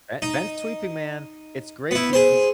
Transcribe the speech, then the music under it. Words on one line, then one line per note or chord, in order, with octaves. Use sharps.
Vent vent-sweeping, man, it's great because
D#4
B3 E4
G#4 C5